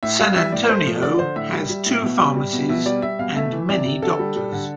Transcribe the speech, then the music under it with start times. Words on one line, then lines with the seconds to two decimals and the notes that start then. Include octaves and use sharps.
San Antonio has two pharmacies and many doctors.
0.03 A2 E5
0.19 G3 F5
0.36 G3 E5
0.52 A2 D5
0.69 A3 C5
0.86 F3
1.03 D3 D5
1.19 D3 C5
1.36 A2 E5
1.53 G3
1.69 G3
1.86 A2
2.02 B2
2.19 G3
2.36 G3
2.53 B2
2.69 B2 E5
2.86 G3 D5
3.02 G3 E5
3.19 B2 F5
3.36 A3 E5
3.52 E3
3.69 C3 D5
3.86 C3
4.02 D3 A4
4.19 G3
4.36 G3
4.52 D3